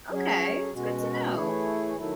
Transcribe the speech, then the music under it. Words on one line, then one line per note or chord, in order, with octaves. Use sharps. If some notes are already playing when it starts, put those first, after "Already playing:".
Okay. It's good to know.
F#3 C#4 G#4 C#5
B2 G#3 C#4 F#4
E3 A3 E4 G#4 C#5
D#3 F#3 A3 E4